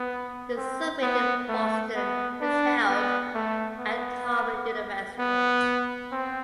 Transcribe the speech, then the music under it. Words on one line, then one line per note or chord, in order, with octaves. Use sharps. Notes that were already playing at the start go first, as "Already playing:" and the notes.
The summit in Boston is held at Harvard University.
Already playing: B3
C4
B3
A3
B3
D4
B3
A3
B3
B3
C4